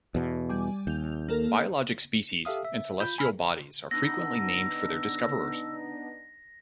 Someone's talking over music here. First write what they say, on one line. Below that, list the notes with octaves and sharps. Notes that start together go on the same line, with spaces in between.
Biologic species and celestial bodies are frequently named for their discoverers.
E2 B2
G3 G#5 D6
D#2 G6 F7
A#3 A4 A#4
G4 A4 E5 F5 D#6
E5
F4 B5 G6
G#5 B5 E6 F6
B3 D4 D#4 E6 A#6